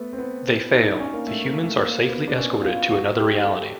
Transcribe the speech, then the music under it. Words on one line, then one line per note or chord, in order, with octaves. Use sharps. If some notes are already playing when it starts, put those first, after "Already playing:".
They fail; the humans are safely escorted to another reality.
Already playing: A3 B3
C4
B3
D#4
D4
C#4
A#3
A3
A#3
A3
A#3
B3
D4
C#4
F4
F#4
G4
A4